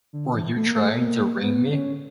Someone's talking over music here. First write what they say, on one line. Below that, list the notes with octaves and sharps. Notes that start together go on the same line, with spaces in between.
Were you trying to ring me?
D3
E3
A3
A#3
A3
A#3
B3
C#4